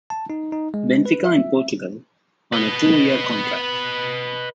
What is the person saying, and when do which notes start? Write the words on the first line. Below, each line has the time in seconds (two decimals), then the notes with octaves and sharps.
Benfica in Portugal on a two-year contract.
0.10 A5
0.30 D#4
0.53 D#4
0.74 G#3
1.06 B4
1.24 E5
2.53 B4 D#5